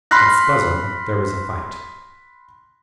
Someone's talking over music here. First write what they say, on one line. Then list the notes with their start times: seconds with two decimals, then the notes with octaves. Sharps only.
At Spuzzum there was a fight.
0.11 B5 C6 F6 F#6 A#6